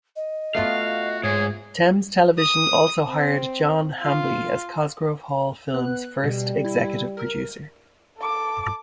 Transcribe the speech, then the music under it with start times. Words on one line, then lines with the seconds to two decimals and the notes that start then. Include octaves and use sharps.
Thames Television also hired John Hambley as Cosgrove Hall Films' first executive producer.
0.16 D#5
0.55 A3 B3 F4 F#4 F5
1.23 G#2 G#4 C#5
2.39 D#6
3.07 C4
4.01 F4
5.74 B3 F#6
6.24 B2 G3
6.64 E4
7.17 A#4
8.18 A4 D6